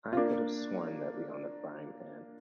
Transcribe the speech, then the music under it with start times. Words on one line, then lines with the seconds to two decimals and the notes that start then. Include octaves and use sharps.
I could have sworn that we own a frying pan.
0.13 F4
0.17 A#3 D4